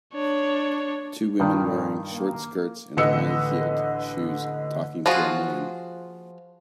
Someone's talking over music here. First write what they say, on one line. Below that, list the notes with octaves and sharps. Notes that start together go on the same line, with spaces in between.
Two women wearing short skirts and high heeled shoes talking to a man.
D4 C#5
G2 A#2 D#3
A#3
A1 D3 B4 D#5 E6 C#7
F3 F4 F#4 G#4